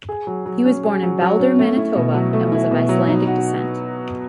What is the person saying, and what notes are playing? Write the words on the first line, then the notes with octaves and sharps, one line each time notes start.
He was born in Baldur, Manitoba and was of Icelandic descent.
G#4
F#3
F#3
C#4
G#4
F#3
F#3
C#4
A3
E4
B2
F#3
A3
E4
B2
F#3
D#4
F#4